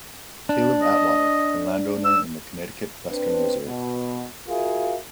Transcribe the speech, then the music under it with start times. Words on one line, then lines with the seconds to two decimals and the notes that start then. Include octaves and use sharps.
Caleb Atwater, a landowner in the Connecticut Western Reserve.
0.49 D4
0.82 D#5
2.05 E6
3.11 C4 D4 B4
3.65 B2
4.48 F4 F#4 G#4 A#4 E5 F5